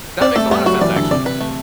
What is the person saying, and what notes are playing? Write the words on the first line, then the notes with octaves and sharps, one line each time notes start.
that makes a lot of sense, actually.
C4 D5
A3 A4
G3 B3
F#3 F#4
E3 D5
D3 A4
C3 D5
B4
A3